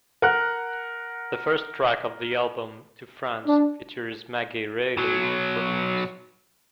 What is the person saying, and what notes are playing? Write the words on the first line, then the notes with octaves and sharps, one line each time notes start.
The first track of the album, "To France", features Maggie Reilly on vocals.
A#4 F#5 F#6
D4
B2 F#3